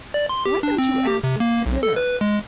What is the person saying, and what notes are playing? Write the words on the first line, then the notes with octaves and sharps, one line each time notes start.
Why don't you ask us to dinner?
D5
C6
G4
D4
C4
G4
C3
A#3
B1
A4
B4
G#3